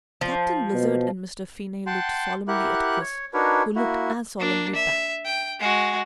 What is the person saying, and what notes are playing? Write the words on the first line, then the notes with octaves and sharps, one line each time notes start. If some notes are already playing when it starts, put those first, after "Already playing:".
Captain Blizzard and Mr. Finney looked solemnly at Chris who looked as solemnly back.
F3
B2
F#5 G5 A5 C6
E4 G4 A#4 F#5 F#6
C#5
D4 D#4 F#4 A#4 B4 C#5
A#3 E4 F#4
A#3 D4
E5
G5
G#3 F#4